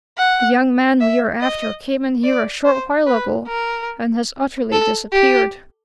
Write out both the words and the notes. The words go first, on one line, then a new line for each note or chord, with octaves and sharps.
The young man we are after came in here a short while ago and has utterly disappeared.
F#5
E5
D#5
D5
C5
B4
A#4
A4
G4